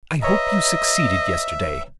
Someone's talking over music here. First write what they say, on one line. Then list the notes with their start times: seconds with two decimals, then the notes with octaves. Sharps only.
I hope you succeeded yesterday.
0.22 B4 C#5 D#5 E5 A#5